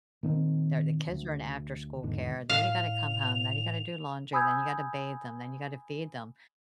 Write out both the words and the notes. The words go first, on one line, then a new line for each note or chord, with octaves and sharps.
their the kids are in afterschool care, then you gotta come home, then you gotta do laundry, then you gotta bathe them, then you gotta feed them.
A#2 D#3 C4
D2
F1 E2 G#2 D3
A2 F5 F7
G#5 B5 D#6 E6 G6 G#6